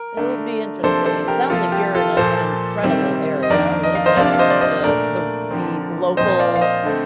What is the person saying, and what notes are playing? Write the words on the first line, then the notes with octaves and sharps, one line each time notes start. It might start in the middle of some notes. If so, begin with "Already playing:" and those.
it'll be interesting. It sounds like you're in a an incredible area. A little jealous of the the the local
Already playing: A#4
D3 A3 D4
C3 F3 A#3 D4 A4 C5
A4 C5
G4 A#4
C3 F3 A#3 F4 A4
G4
F4 A4
A#2 F3 A#3 A4 C5
C3 D#3 G3 C4
D#5
F2 D#3 A#3 D4 A#4 D5
D#5
F5
C5 D#5
C3 F3 A#3 D4 D5 F5
F5
C5 D#5
D5
C5 D#5
A#2 A3 D4 A#4 D5
D3 F3 C4
A#2 F3 C4 C5 D#5
D5 F5
F5
C5 D#5
D3 A3 C4